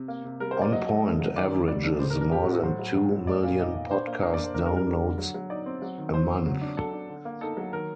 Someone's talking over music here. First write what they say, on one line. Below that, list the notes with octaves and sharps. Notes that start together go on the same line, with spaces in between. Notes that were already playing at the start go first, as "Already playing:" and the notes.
"On Point" averages more than two million podcast downloads a month.
Already playing: C3
A#3
C3
G3 A#4
C5
A#3
D5
F#3 D#5
A3
A3
F#3
D#3 D5
D#3
G3 D5
D4
A2 C5
A#4
D4
A#4
A2 G4
F#4
A2
F#4
F#3 C5
F#3
F#3
F#3
A3 D5
A#2
D#4 D#5
A#2
D4 C5
A#3
D4 A#4
D5
D4
C5
D4 A#4
A#4
G3
A#4
D4
D3
F#3
F#3
D#4 D5
C4
F#3
D#3
D#3 C5
C4
F#3
D4
F#3 A4
D4
D3
A#3
D#4 A4
F#3
D#3 A#4